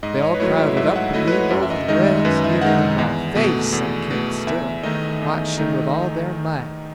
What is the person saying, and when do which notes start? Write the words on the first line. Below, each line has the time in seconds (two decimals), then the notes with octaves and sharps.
They all crowded up and leaned over the rails, nearly in my face, and kept still, watching with all their might.
0.03 G#2 D#5
0.22 C#5
0.35 B4
0.40 F#3 A3 E4 C#5
0.59 E5
0.77 G#2 E5
0.96 F#5
1.14 F#3 A3 E4 D#5
1.28 B4
1.32 C#5
1.51 F#2
1.62 E5
1.70 D#5
1.88 D#3 G#3 D#4 D#5
2.07 E5
2.25 F#2 B4
2.44 E5
2.61 D#3 G#3 D#4 F#5
2.99 E2
3.35 B2 A3
3.72 E2
4.11 B2 A3
4.47 E2 E5
4.83 D#3 A3 D#4 D#5
5.21 E2
5.58 D#3 A3 D#4